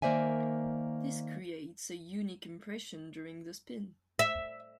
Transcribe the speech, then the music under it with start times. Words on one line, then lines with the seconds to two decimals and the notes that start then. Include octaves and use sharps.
This creates a unique impression during the spin.
0.02 D#3 A#3 C5 D5 E5 G#5
4.19 E5